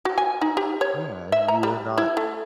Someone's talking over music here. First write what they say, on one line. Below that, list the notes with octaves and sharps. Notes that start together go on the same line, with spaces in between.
Yeah, and you are not
F#4
G#5
D#4
G4
C#5
E5
A#5
G3
E4
A3